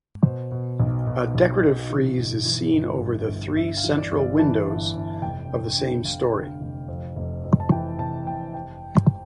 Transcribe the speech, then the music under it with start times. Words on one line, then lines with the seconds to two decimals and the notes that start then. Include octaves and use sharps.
A decorative frieze is seen over the three central windows of the same storey.
0.24 B2 C5
0.51 B2
0.80 B1
1.07 B2
1.35 B1
1.62 B2
1.90 E3
2.18 G1
2.45 E3
2.73 G1
3.00 G2
3.28 G1
3.56 G1 E5
3.77 F5
3.84 E3
3.98 D5
4.11 G1
4.18 D5
4.39 E3 A5
4.67 G1
4.95 G1
5.22 F1 G5
5.50 F1
5.78 D3
6.05 F1 F5
6.33 D3
6.61 F1
6.88 F2
7.16 F1
7.44 F2
7.60 A5
7.72 E3 G5
7.99 C3 A5
8.27 F1 G5
8.54 G5